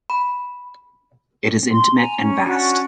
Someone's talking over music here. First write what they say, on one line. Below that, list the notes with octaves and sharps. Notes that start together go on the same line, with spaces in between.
It is intimate and vast.
B5
C6
G#5 A#5
C#4
C#4 D4 F#4